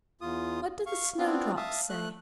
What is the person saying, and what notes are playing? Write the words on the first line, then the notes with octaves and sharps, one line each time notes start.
What did the Snowdrops say?
E2 F4 D#6
F5 C#6
B3 C4 D4 F4
E5 F5 A5 D#6
A3 F#6